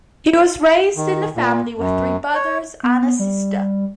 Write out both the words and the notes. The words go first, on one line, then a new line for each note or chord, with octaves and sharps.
He was raised in a family with three brothers and a sister.
D#3
A#2
F#2
C#5
B3
G3